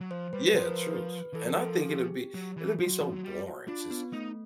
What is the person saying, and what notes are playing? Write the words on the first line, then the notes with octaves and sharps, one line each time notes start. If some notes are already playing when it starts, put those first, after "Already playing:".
Yeah, true, sh and I think it'll be it'll be so boring just
F#3
F3 C5
G3 B4
B4
F3 C5
A#4
B4
E3 A4
F3 A#4
A4
G#4
G4
F#3
E3
F3 F#4
G3
F#3
F3
F#3
G3
D4 F4
B3
A3 D#4